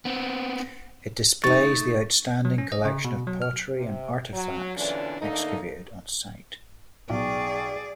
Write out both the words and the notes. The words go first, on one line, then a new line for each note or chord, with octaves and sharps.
It displays the outstanding collection of pottery and artifacts excavated on site.
B3 C4
A3 D#4 C#6 A6
F#3
C#4
D#5
C#3
B2
F#3
F6
C3
F#3
E2 A#2 D3 E3 C#4 D4
D3 A3 A#3 D#4
B1 G#4 D5 G5 C#6